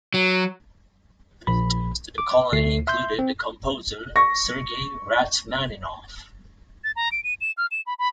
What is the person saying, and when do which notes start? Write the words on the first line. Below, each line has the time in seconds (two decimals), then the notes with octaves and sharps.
Visitors to the colony included the composer Sergei Rachmaninoff.
0.14 F#3
1.47 A#1 B5
2.18 D6
2.53 D2 A3 C7
2.87 E5 C6 G6
3.19 C4
4.16 C#6 A#6
6.84 A6
6.96 A#5
7.12 D7
7.24 D#7
7.41 E7
7.57 F6
7.71 E7
7.86 B5
7.99 B5